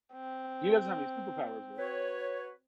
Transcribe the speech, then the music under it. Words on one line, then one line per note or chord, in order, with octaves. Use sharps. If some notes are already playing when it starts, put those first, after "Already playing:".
He doesn't have any superpowers, though.
C4
F#4 B4 C#5